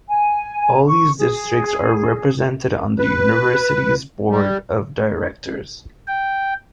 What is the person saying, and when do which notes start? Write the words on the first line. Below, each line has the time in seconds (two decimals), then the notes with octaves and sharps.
All these districts are represented on the University's Board of Directors.
0.09 G#5
0.87 C#6
1.19 G#4
2.99 B4
4.30 G3
6.08 G5